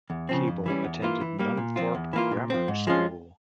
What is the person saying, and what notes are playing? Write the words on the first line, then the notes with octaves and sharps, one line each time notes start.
Cable attended Nunthorpe Grammar School.
E2
C#3 F3 C4
F2
E3 G3 C#4
E2
E3 A#3 F4
E3
G3 A#3
A#2
F3 C4 F4
E2
E3 A#3 F4
A#2
F3 C4
G#2
F3 G#3 C#4 F4